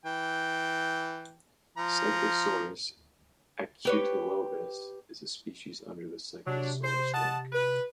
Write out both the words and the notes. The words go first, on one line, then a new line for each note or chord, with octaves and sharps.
Cyclosorus acutilobus is a species under the Cyclosorus Link.
E3 G5
F3 A#5
G4 B4 C#5
C3 F#3 D4
C5
D#5 F#5 A5
B4